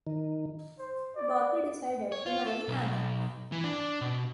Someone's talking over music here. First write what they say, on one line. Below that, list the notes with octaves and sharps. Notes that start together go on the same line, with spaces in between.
Bobby decided to marry Anna.
D#3
C5
D5
C#5
F4
A4
B1
E3
D4
B2